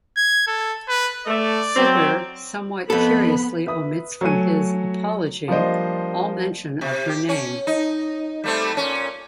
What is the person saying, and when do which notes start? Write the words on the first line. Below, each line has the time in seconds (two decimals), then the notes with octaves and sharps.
Cibber somewhat curiously omits from his "Apology" all mention of her name.
0.17 G#6
0.47 A4
0.88 B4
1.27 A3 D5
1.75 F#3 C4
2.90 F2 B3 A4 B5
3.67 B4 E5 D#6
4.21 F#3 A3 C#5 G#5 D#7
5.48 F3 G3 A#3 D4 C5 D#5
6.81 C3
7.09 G4
7.29 C#4
7.67 D#4
8.44 G3 A3 C4
8.73 A#2 C#4